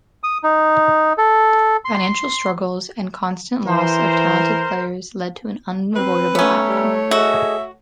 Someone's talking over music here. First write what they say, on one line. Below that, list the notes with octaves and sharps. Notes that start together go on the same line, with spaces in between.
Financial struggles and a constant loss of talented players lead to an unavoidable outcome.
D#6
D#4
A4
C6
E3 A#4 C5
C4 B4
A3 B3 C#4 C#5 E5 A#5 E6
G3
F#4 G#4 A4 D#5 E5